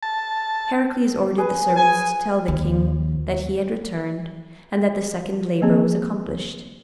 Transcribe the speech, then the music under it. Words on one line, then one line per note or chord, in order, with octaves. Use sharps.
Heracles ordered the servants to tell the king that he had returned and that the second labor was accomplished.
A5
G#4 B4
G#5
D#2
F3 A#3 C4 G#4